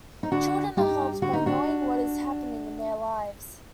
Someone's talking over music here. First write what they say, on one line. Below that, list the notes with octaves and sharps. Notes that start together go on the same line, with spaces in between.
Children are helped by knowing what is happening in their lives.
D#4
D3 D4 F#4
G2 D#4 G4
D3 F#4
D#4
D4 F#4